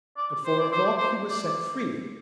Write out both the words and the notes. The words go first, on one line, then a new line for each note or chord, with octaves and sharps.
At four o'clock he was set free.
D5
C5
D5
C5
D5
C5
D5